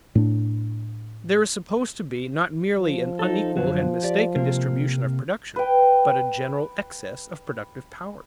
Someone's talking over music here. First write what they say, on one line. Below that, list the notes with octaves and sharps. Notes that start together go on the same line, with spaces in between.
There is supposed to be not merely an unequal and mistaken distribution of production, but a general excess of productive power.
A2 D4
F3
D#4 A4
F#2 D3 F#3
G4 D5
C3 A#3
B4 G5